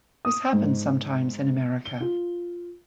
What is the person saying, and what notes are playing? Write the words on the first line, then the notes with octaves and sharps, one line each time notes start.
This happens sometimes in America.
D#6
G#2
G7
F4